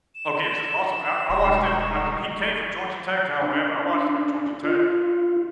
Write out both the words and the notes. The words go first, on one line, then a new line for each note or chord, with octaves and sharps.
Oh, Gibbs is awesome. I I watched him I'd he came from Georgia Tech to Alabama. I watched him at Georgia Tech.
E7
E1 G2 G#3 D#4 A#5 C#6
D4
F4